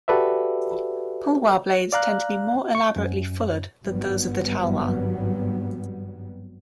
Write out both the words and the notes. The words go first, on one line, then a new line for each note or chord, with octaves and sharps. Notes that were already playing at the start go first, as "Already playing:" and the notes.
Pulwar blades tend to be more elaborately fullered than those of the talwar.
F#4 G4 A4 B4 D5 E5
D5 F5 A#5 F#6
C#6
F#2
G#1 G2 F#3 G3 B3